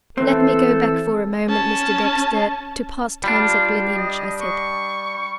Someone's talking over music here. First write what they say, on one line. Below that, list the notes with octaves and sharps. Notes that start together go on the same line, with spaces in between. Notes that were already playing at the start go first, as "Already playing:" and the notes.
"Let me go back for a moment, Mr. Dexter, to past times at Gleninch," I said.
E3 C4 A4 C5
C#4 A5
G3 D4 F4
D#5
C#6